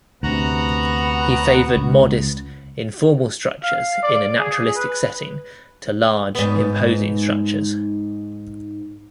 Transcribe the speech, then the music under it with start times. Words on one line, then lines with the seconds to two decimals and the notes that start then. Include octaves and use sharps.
He favored modest, informal structures in a naturalistic setting to large, imposing structures.
0.23 D2 C3 B3 F#4 F#5 A#5
1.76 C#2
3.63 F5
4.02 D5
4.38 G#4
4.76 B4
6.35 G#2 B3